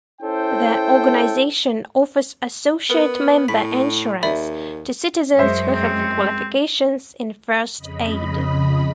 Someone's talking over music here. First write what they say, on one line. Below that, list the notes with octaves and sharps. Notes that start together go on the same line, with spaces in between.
The organisation offers associate member insurance to citizens who have qualifications in First Aid.
C#4 E4 A4 C5 G5
B3 A#4
A2 B5 B6
D#2 D5 E5 B5
F#2 G#3 C5 E5
C4
F2 C#3 D#5 B5